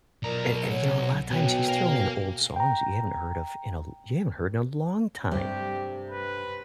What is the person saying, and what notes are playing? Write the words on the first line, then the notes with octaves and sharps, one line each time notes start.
and and, you know and a lotta times he's thrown in old songs that you haven't heard of in a you haven't heard in a long time.
B1 F4 A#4 D5 A#5
C#5 F#5
B1 B2 C#5 G5 G#5
A#4 F5
G5 A#5
G2 C3 A3 G4
B4